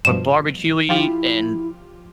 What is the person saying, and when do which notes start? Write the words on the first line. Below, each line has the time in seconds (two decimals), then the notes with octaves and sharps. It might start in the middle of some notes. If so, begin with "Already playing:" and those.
but barbecue-y, and,
0.05 G2 B2 F3 E7
0.89 F3 E4 F4 G4